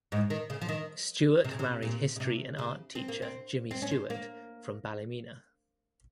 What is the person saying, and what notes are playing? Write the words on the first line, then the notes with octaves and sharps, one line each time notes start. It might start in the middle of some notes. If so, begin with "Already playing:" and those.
Stewart married history and art teacher Jimmy Stewart from Ballymena.
G#2
D#3
C#3
F3
D#3
C3
C#3
C3
A#2
C#3
C3
C#3
C4
A#3
C4
C4
C#4
C4
A#3